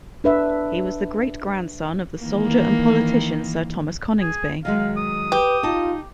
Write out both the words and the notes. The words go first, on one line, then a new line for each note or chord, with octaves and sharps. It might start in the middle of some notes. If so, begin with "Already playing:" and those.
He was the great-grandson of the soldier and politician Sir Thomas Coningsby.
D4 B4 E5
D#3 E3 A#3
G#4
D#3 F#3 G#3 F5
D#6
G4 B4
D#4 F4 A5